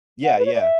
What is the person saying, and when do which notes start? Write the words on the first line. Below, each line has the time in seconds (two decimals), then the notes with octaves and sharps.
Yeah, yeah.
0.24 F#5
0.39 B4
0.45 C#5
0.54 D5
0.61 E5